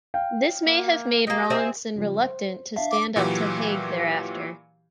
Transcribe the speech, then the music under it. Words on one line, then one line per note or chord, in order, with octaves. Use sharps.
This may have made Rawlinson reluctant to stand up to Haig thereafter.
F5 G5
A#3
A#3 G4 D#5
C4 G#4 E5
C#3 F3 G3
C5
D4 E5 F5 A5
D6
A#2 E3 F#3 G4